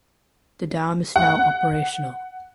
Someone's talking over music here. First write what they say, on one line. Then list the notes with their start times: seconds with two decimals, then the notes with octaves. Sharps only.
The dam is now operational.
1.16 F#5